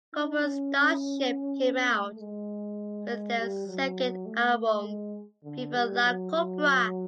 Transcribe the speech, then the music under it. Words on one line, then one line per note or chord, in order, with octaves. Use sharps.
Cobra Starship came out with their second album, “¡Viva la Cobra!”.
D#4
C#4
A3
G#3
G#3
G3
F#3
A3
G#3
D3
G3
F#3
F#3